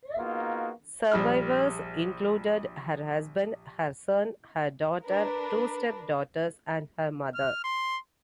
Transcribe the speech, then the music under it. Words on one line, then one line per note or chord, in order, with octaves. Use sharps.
Survivors included her husband, her son, her daughter, two stepdaughters, and her mother.
A#3 B3 D#4 F4 F#4 G#4
A#1 G3 F6
D4 A#4 B4
F6
C6